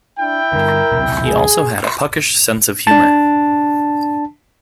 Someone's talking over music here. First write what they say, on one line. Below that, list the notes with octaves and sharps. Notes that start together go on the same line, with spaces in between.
He also had a puckish sense of humour.
D4 E4 G5
G2 D3 A#4
D#1 B1 C3
G#4
D4 A5